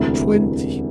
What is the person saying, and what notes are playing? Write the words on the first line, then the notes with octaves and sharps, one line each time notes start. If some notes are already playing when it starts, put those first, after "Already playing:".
At twenty!
Already playing: E1 D2 C3 E3